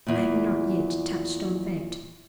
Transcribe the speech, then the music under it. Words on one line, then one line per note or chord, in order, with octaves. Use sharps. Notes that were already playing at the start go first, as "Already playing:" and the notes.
I have not yet touched on fact.
E2 A#2